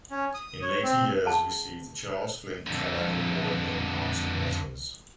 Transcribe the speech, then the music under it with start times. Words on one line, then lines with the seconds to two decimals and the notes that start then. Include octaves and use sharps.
In later years he received the Charles Flint Kellogg Award in Arts and Letters.
0.11 C#4
0.34 D#6
0.62 C#5
0.83 C4
1.25 G#4 F#5 A5
2.67 F2 D3